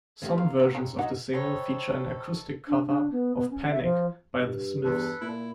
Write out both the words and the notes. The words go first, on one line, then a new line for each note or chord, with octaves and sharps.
Some versions of the single feature an acoustic cover of "Panic" by The Smiths.
C#3 G3 A3 A4
B3 F4 A4 F5 A#5
F#4 E5
G#3 C#4 G4
F#3 D#4 F#5
D#4 A4 C5 C#5 G5 B5
D4
D4
B3
B3
C#4
E5
F3
G2
E2 A4 B4
A#2 E4